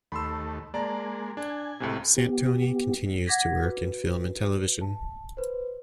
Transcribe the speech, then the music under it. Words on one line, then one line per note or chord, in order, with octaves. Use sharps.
Santoni continues to work in film and television.
D#2 A3 B5 C6 E6
G#3 A#3 D5 A5 A#5
D4 G#5
C#2 A2 C3
B3 G4
F#5 D6 G#6 A#6 B6
F#4 B4
A5
B4 C5